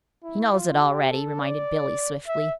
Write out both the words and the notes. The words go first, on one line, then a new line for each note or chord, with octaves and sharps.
"He knows it already!" reminded Billie swiftly.
E4
F4
G4
A4
D5
E5